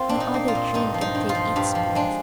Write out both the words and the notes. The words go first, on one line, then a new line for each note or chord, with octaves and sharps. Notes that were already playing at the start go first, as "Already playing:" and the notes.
No other dream can take its place.
Already playing: A#3 C4 F4
D4
A#2
D#4
A#3
F4
A#2
G2 D#4
F3
D#4
G2
F4
F3
G2 G4
F3
G#3 D4